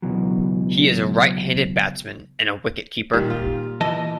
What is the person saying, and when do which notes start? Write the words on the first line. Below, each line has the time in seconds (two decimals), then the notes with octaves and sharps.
He is a right-handed batsman and a wicket-keeper.
0.02 C#2 B2 E3 F#3
3.13 A#2 D#3 G3
3.30 F4
3.81 E3 D#5 A5